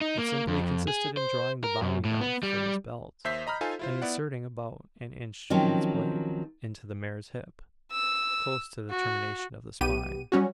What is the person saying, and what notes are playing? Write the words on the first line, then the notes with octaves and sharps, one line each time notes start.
It simply consisted in drawing the bowie knife from his belt, and inserting about in inch of its blade into the mare's hip, close to the termination of the spine.
D#4
A#3
F2
G#4
C5
A#4
F#2
A2
B3
G3
D#2 C5 E5 G6 B6 C7
D#5 A#5 B5 F6
D#4 F4 A4 C5 F5 G#5
E4 F4 C5
B3 E4 D5 F#5
D#3 F3 F#3 C4 C#4
E6
F#4
B1 B3 G4 D#7
F#3 G3 C#4 F#4